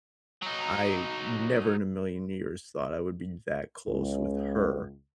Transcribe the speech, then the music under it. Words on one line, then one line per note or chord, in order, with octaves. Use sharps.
I never in a million years thought I would be that close with her
F#3 D#4
C#2